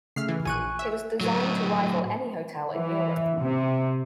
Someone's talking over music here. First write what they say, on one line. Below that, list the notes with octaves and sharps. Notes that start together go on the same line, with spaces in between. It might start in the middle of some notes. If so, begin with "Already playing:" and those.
It was designed to rival any hotel in Europe.
C#3 A3 E5 F6 C7
E3
A#1 G#5 C#6 F#6 D#7
E5
A2 F#3
E3
C3